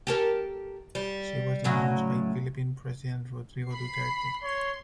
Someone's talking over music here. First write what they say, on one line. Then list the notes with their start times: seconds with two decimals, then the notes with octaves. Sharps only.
She was denounced by Philippine president Rodrigo Duterte.
0.07 G4 A4 A#4
0.95 G3
1.64 A2 C#3 F#3
3.68 B5 C7
4.44 C#5 C6